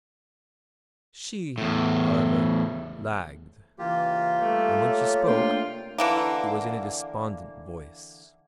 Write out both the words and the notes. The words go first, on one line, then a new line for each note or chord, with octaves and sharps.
She, however, lagged, and when she spoke it was in a despondent voice.
E2 A2
C#3 E3 A#3 F4 G4
G3 A3
C#5
C3 A3 A#3 D4 F4 G5 C6
D3 E3 A#3